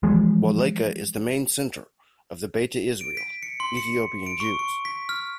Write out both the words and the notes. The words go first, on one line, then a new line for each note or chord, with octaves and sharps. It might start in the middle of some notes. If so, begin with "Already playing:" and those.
Wolleka is the main centre of the Beta Israel - Ethiopian Jews.
E3 F3 G#3
D7
B6
C#7
C6
C#7
D7
C#6
C#6
B6
F6